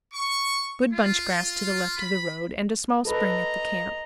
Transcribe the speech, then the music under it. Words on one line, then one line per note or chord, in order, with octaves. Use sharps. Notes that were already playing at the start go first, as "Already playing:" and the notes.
Good bunch-grass to the left of the road, and a small spring at the camp.
C#6
F4
B5
A4 B4 D#5 A#5